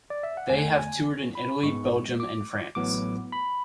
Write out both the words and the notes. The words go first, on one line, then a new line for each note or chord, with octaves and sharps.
They have toured in Italy, Belgium and France.
D5
E5
F#5
E2 D3 A3 G#5
G#5
B5
G#2 G#3 B3 C#6
D6
A1 A2 F#3 B3 D6
B5